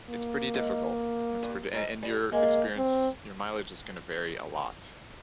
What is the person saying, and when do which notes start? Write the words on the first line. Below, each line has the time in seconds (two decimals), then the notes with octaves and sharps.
it's pretty difficult, it's pretty and and your experience, your mileage is going to vary a lot,
0.10 A#3
0.54 G#2
1.43 G2
1.73 G#2
2.03 G3
2.32 G#3 A#3
2.77 C4